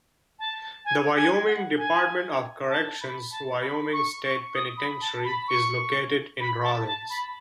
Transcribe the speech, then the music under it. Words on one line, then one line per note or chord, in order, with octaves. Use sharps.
The Wyoming Department of Corrections Wyoming State Penitentiary is located in Rawlins.
A5
G#5
G#5
F#5
G#5
A5
B5
A5
B5
C#6
C#6
D#6
B5
A5
B5
C#6
B5
A5
A5
B5